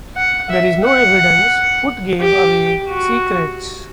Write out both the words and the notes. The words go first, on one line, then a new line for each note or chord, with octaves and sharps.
There is no evidence Foot gave away secrets.
F#5
E5
F#5
G4
F#4